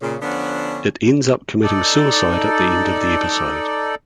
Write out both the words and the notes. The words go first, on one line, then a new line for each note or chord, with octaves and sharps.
It ends up committing suicide at the end of the episode.
A#2 C#3
D3 F3 B3 C#4 D4
D#4 A4 D5